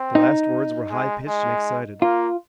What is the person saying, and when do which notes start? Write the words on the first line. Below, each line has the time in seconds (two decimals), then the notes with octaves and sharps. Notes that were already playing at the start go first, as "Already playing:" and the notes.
The last words were high-pitched and excited.
Already playing: C4
0.15 D#4
0.90 G#3
1.28 G#3
2.02 A#3 F4